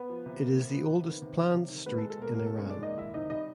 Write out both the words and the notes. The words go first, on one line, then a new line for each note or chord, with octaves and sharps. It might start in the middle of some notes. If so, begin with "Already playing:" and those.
It is the oldest planned street in Iran.
Already playing: B3 B4
F3
C3
A#3
C3
F3
C3
D#3
C3
F#3
C3
D#3
G#3 B3 B4
A4
G#3
A4
B2 A#3 A#4
B2 A#3 A#4
A4
G#3
C#4 C#5
G#3 D4 D5
A#3 D#4 D#5
D#3 E4 E5
C3 D#4 D#5
G3 D#4 D#5